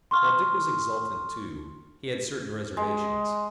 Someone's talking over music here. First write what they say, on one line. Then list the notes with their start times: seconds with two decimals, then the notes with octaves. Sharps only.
While Dick was exultant, too, he had certain reservations.
0.11 C6 C#6 F6
2.77 G#3